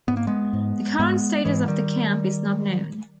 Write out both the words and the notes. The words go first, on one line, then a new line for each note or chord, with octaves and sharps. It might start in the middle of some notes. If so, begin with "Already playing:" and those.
The current status of the camp is not known.
G#2 B3
A#3
G#3 B3
G#2
G#2 G#3 B3
G#2 E3 G#3
D#3 G3